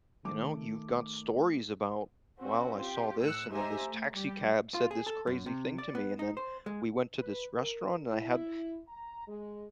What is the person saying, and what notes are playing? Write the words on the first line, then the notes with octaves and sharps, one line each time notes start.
you know, you've got stories about, "Well, I saw this, and then this taxi cab said this crazy thing to me, and then we went to this restaurant, and I had"
D#3 A3 D6
C4 C#4 F#4
F4 G4
A2 E6 F#6 C#7
D#4 G4 C5 E5 G#5 A#5
A3
G3 G4
F4
G#4
A4
F#2
C3
D5
B3
D#4
C5
G#3
B4
A#4
E4
A#5
G#3